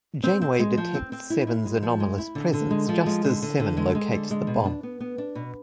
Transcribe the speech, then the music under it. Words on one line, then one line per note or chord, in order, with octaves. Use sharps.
Janeway detects Seven's anomalous presence just as Seven locates the bomb.
C4
C4
G#3
F3
C4
C4
E4
E4
G#3
F3
G#3
E4
D3
D3
G#3
F3
G#3
D3
D3
D3
G#3
G#3
D3
G#3
B2
D4
B3
B3
D4
B2